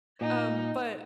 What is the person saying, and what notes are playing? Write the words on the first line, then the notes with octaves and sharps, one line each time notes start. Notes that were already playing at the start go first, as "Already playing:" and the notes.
um, but,
A#2 D#4